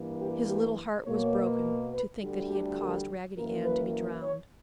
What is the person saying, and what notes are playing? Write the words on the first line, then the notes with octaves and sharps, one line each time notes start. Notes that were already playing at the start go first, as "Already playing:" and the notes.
His little heart was broken to think that he had caused Raggedy Ann to be drowned.
Already playing: G2 E3 A#3
G4
G4
B2 A#3 C#5
B4
D2 D3 G3
G4
A#4
F#2 E3 A#3 A#4
B4
C#5